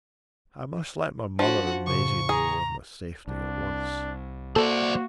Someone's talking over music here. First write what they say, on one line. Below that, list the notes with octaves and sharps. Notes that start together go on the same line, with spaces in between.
I must let my mother and Maisie know of my safety--at once.
F3 D4 F#4 F#5
A2 C#3 C#6
G#4 A#5
C2 D4
A#3 F#4 A4 C5 D5